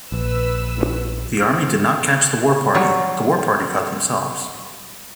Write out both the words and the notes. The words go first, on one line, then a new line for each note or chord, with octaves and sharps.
The Army did not catch the war party, the war party caught themselves.
A#1 B4 E6
F#3 G3